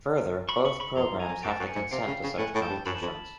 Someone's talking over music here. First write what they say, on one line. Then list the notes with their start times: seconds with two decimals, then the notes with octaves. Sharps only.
Further, both programs have to consent to such competitions.
0.49 B5 C#6
0.65 B5 C#6
0.80 B5 C#6
0.96 F2 A#5 C6
1.12 E2
1.20 G#5 A#5
1.28 F2
1.43 F#2 G5 A5
1.60 F#2
1.67 F#5 G#5
1.75 G#2
1.91 C3 F5 G5
2.07 C#3
2.23 C#3
2.38 A2 F#5 G#5
2.55 A2
2.62 G5 A5
2.69 G2
2.86 F#2 A5 B5
3.02 F2